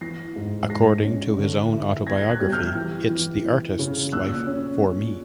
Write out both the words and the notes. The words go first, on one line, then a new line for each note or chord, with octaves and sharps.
According to his own autobiography, It's the Artists' Life for Me!
E3 A#6 C7
G#2
G#2 A#6 C7
C#4
D3
E4
B3 G#6 A#6
F#6 G#6
G3
F6 G6
E3
E3
E3
C#3
A#2 E6 F#6
C#4
A#2